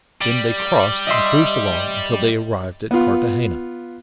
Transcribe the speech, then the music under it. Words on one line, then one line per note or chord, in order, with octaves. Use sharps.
Then they crossed and cruised along until they arrived at Carthagena.
G3
D#5 E5 C6
B3 F4